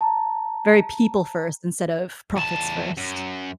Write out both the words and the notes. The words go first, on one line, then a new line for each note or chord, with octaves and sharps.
Very people first instead of profits first,
A5 A#5
E2 A5
F#2